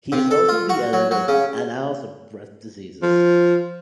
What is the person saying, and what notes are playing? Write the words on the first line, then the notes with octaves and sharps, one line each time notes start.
He is also the Editor of Annals of Breast Diseases.
C3
A4
F4
F#4
F#3
F#3
C#3
F3